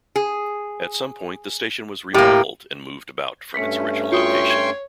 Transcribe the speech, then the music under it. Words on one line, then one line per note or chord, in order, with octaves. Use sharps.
At some point, the station was remodeled and moved about from its original location.
G#4
A2 A#3 G4
G2 A3 C#4 B6 C#7
F4 F#4 C#5 G5 C6 C#6 D#6
G#6